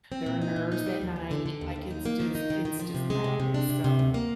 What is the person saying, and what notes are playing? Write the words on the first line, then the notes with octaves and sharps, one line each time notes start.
they're a nurse at night, like, it's just it's just madness, so,
C4
A#2
D#4
A#2
D#4
G3
D#2
D#2
D3
D3
D#2
D#2
D#4
A#3
D#3
D#4
D#3
D#3
F3
C3
G#3
C3
C3
D4
C3
C3
D2
A#3